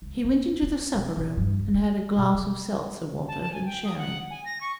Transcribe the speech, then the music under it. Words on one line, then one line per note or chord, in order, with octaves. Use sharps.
He went into the supper-room, and had a glass of seltzer water and sherry.
C#2
A#1
D#4
B1
A#1
G2
F#1
A3
B2
F#3
A5
A5
G#5
G5
D#6
F#5
G#5
A#6
C#6